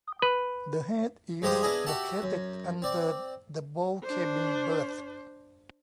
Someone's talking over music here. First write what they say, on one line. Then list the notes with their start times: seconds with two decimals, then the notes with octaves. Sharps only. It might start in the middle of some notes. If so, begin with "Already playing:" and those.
The head is located under the bow cabin berth.
0.22 B4
1.42 G2 F3 G#3 G4 C5 D#6
1.62 B3 D4 E4 G#4 D#5
1.86 F#4 G4 E5 F#5 A5
2.22 F#2
2.82 C4 D5
4.04 D4 C5